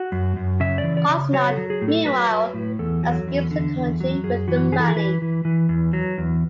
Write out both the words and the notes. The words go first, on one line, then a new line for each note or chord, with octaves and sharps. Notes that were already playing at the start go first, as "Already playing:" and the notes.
Osnard, meanwhile, escapes the country with the money.
Already playing: F#4
F#2
F#2
C#3 E5
D5
E3
D5
C#3
F#3 C#5
A4
F#3
G#4
A2
A4
F#3 B4
F#3
A2
E2 A4
F#3
E2
D3
E2
F#3
F#2 G#4
E3 F#4
E3 G#4
A4
G#4
E3 B4
E3
E3
E2
F#3
E2